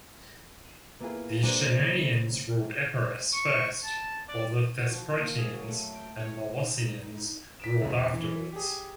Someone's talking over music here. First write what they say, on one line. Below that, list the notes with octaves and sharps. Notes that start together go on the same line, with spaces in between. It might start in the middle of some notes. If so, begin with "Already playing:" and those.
The Chaonians ruled Epirus first while the Thesprotians and Molossians ruled afterwards.
C7 E7
A#3 B3 E4 F4 G#4
G#3 A#3 D4 F#4 G#4 C5
C#3
C#6
A5
D5
F#4
F3
A#3
G#4
F#3
A3
G5
C#5
D#4
B6 D7 E7
E1 C#2
E3
G4 G#4